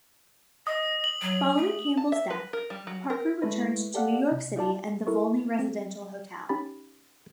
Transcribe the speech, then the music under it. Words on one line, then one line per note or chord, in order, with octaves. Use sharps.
Following Campbell's death, Parker returned to New York City and the Volney residential hotel.
D#5 D#6
F#7
F#3
A3
A5
E5
B4
A#4
G3
F#3
A#4
G#3 A3 E4 B4
G4 A4 D5 F5 F#5
C3
D#4 F4 D5 A5
E4 A4 A#4 C#6
C4
C#4 D#4 G4 G5 B5 A6